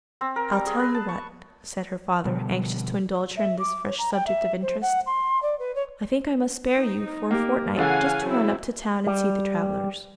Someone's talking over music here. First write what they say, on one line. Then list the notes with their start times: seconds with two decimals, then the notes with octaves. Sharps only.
'I'll tell you what,' said her father, anxious to indulge her in this fresh subject of interest, 'I think I must spare you for a fortnight just to run up to town and see the travellers.
0.21 C4
0.36 A#4
0.52 G3
0.66 G#4
0.79 B4
0.94 A5
1.09 C#6
2.25 B2 D3 F3 G3
3.37 E5
3.59 D6
3.87 C#5
3.98 A#5
4.13 G5
4.27 E5
4.62 C5
4.82 F#5
5.06 C6
5.42 D5
5.59 B4
5.75 C#5
6.77 D#4
7.31 A#3 G4
7.77 C#3 E3 A4 F5 F#5 G#5
8.25 F#3 C4 E4
9.07 G3